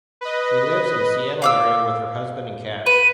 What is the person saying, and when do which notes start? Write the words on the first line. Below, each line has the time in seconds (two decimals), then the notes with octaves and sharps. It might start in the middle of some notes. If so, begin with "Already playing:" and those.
She lives in the Seattle area with her husband and cats.
0.21 B4 D#5
1.42 F5 D6 E6
2.86 B4 D#7